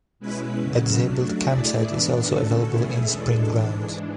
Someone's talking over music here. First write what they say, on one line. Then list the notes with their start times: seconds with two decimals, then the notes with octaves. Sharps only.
A disabled campsite is also available in Spring Ground.
0.19 B2 G#3 C#4 E4 B4
0.60 F#2 C#3 F#3 C#4
1.02 F#3 A3 D4 F#4
1.43 A3 E4 G#4 D5
1.84 G#2 E3 B3 D4
2.25 D3 A3 C#4 F#4 A4
2.67 B2 A3 C#4 E4 G#4
3.08 E2 B2 G#3 D4 A4
3.48 G#2 E3 G#3 D4